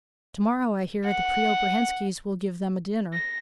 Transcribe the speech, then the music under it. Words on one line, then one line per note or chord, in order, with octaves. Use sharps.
"Tomorrow, I hear, the Preobrazhenskis will give them a dinner."
F#5
A#6